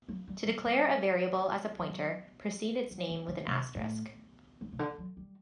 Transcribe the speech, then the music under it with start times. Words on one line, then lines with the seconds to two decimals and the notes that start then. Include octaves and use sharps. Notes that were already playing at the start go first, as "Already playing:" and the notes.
To declare a variable as a pointer, precede its name with an asterisk.
0.08 F#3
0.28 G3
0.45 G3
0.64 G3
1.78 F#3
2.91 F#3
3.10 E3
3.28 D3
3.47 C3
3.76 A2
4.61 G2
4.72 C3
4.79 D3
4.98 F#3
5.17 G3